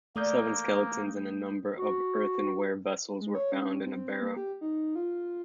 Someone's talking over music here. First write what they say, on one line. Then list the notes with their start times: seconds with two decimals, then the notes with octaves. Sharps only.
Seven skeletons and a number of earthenware vessels were found in a barrow.
0.16 E3 A3 A#3 D5 D#6 G6
1.78 F#4
3.20 G#3
3.34 C#5
3.52 C#4
3.84 C4
4.21 A#3
4.36 G4
4.61 D#4
4.95 F4